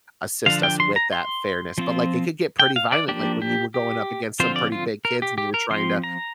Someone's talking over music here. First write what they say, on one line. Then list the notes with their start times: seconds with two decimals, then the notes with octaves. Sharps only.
assist us with that fairness, but, like, it could get pretty violent like when you were going up against some pretty big kids and you were trying to
0.46 D3 F3 D4 F5
0.63 G5
0.80 C6
0.96 A#5
1.12 C6
1.78 F3 C4 F4
2.60 G5
2.76 F5
2.92 D5
3.08 F3 A#3 D4 G4
3.42 G4
3.74 G4
4.40 D3 F3 C4 F4 C5
4.56 D5
4.72 F4
5.05 A#4
5.22 G4
5.38 G4
5.54 A#4
5.70 F3 C4 F4 C6
6.04 A#5